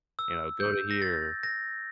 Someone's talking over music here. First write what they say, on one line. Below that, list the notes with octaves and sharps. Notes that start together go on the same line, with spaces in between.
you know, "go to here,"
E6
G6
A#6
A6
A#6